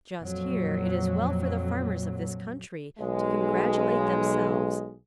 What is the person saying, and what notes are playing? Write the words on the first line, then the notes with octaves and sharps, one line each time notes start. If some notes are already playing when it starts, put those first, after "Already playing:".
Just here it is well for the farmers of this country to congratulate themselves.
F2 A#2 F#3
B1 G#3